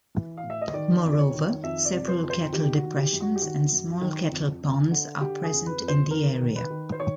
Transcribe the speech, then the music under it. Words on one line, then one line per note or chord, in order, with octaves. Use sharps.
Moreover, several kettle depressions and small kettle ponds are present in the area.
E3
F5
A2
E5
D#5
D#3 D5
F2
D5
C#5
D#3
F2 E5
D5
C3
C5
F2
C5
D#3 G4
F#4
D#3
G4
F#2
F#4
G4
D#3 F#4
F#2
D#3
F2
D3
D3
D3 G4
G#4
F2
B4
F2
C5
D#3 A#4
D#3
B4
D#3
C5
D#3 C#5